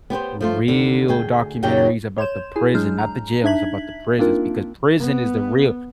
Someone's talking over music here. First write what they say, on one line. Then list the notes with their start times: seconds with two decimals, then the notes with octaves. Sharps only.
real documentaries about the prison not the jails, it's about the prisons because prison is the real
0.10 B3 G4 B4 C5
0.41 F3 A3 F4
0.68 D#2 D3
1.08 D2 G#4 G5
1.63 F#2 C#3 F#3 D#4 G4 G5
2.18 C#5 C6 G6 E7
2.56 E4 G#4 G#5
2.74 F#3 G#3 D4 G#4 F6 G6
2.98 A#5
3.44 D4 D#4 E5 G#6 B6 F#7
4.19 A#3 C4 D4 D#4 F4 A#4
4.99 B3